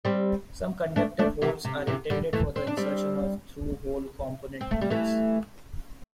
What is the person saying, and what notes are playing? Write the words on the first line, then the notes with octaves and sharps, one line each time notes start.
Some conductive holes are intended for the insertion of through-hole-component leads.
G3 C4
A3 D4
A3 D4
C3 E3
C3
C3 E3
D3 G3
E3 A3
C4
D4
G3 C4
C4
A3
G3
E3 A3